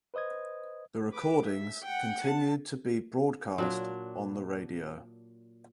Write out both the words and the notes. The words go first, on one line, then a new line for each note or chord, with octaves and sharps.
The recordings continued to be broadcast on the radio.
B4 C5 D#5 D#6 G#6
B4 D6
E5
F#5 G5
A5
A#2 F#3 D4